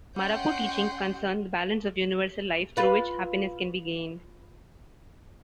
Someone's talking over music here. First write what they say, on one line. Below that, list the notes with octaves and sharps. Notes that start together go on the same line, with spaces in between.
Marapu teachings concern the balance of universal life through which happiness can be gained.
C#4 D#5 F#5 G5 C6 G6
F4 B4